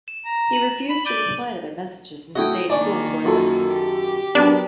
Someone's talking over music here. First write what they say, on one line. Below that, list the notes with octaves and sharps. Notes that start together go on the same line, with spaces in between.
He refused to reply to their messages and stayed cool toward them.
E7
A#5
F#7
B5
D5 G6 D#7 G7
A3 E4 F#4 D#5 G5
D#3 A#3 D4 D5 G#5 C#6
F#2 F4 A4
G4
F#3 B3 D4 A#4